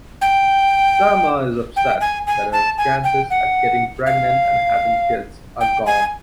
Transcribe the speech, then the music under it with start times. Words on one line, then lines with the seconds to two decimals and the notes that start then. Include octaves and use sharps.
Selma is upset that her chances at getting pregnant and having kids are gone.
0.21 G5
1.76 G5
2.01 G#5
2.27 G#5
2.52 A5
2.78 G#5
3.04 G5
3.30 F#5
4.07 F5
5.61 G5
5.86 G#5